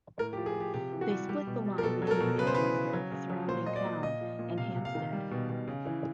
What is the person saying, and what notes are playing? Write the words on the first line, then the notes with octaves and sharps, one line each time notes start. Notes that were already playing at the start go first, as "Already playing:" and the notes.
They split the line between Manchester, a surrounding town, and Hampstead.
A2 A#4
G4
F3
G#4
F3
G4
C3 G4
E3
F#4
G3
G3 G4
B2
G3
A#4
B2 A4
F#3
A4
A#4
B2
C#3 B4
C5
E3 B4
C#3
F#3
C#3
F#3
A#2 C5
A#2 D#5
D5
A#2
A#2 D#5
F3
A#2
C3 F5
C3
F5
D#3
G3
B2
B2
C#3
E3